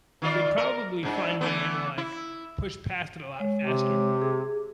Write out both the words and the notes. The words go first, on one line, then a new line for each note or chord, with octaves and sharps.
they'd probably find a way to, like, push past it a lot faster,
D#3 F4 D5
A#4
G#2 D4
E3 A3 B3
E4
G#3 C#5
C3
G#4